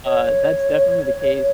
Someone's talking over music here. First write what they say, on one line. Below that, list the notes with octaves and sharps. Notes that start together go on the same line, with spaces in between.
uh, that's definitely the case
C#5